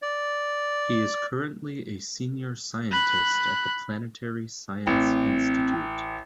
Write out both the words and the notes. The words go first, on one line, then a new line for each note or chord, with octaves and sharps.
He is currently a senior scientist at the Planetary Science Institute.
D5
B5 F#6
A1 C4